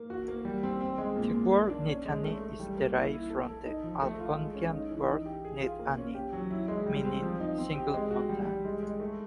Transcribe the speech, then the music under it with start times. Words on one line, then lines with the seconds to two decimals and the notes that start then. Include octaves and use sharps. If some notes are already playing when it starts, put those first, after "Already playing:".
The word "Nittany" is derived from the Algonquian word "Nit-A-Nee" meaning "single mountain".
Already playing: A#3
0.10 F#4
0.28 A#3
0.45 G3
0.63 C4
0.81 C4
0.98 G#3
1.16 A#2
1.34 A#2
1.52 A#3
1.70 D4
1.88 C#4
2.05 G#3
2.23 A3
2.41 A3
2.60 G3
2.77 A#3
2.95 E4
3.12 E4
3.30 A4
3.48 A4
3.66 D#4
3.84 F3
4.02 A3
4.19 F4
4.37 G#3
4.55 C#4
4.73 D#4
4.90 E3
5.08 D#4
5.26 G4
5.45 G#4
5.61 F4
5.79 A#3
5.98 C#4
6.15 G4
6.33 F#3
6.51 E4
6.68 G#3
6.86 G3
7.05 C4
7.22 F3
7.40 D#4
7.58 C4
7.75 G4
7.94 G#3
8.11 F#4
8.29 G3
8.47 G3
8.65 G#3
8.83 G#3
9.00 A3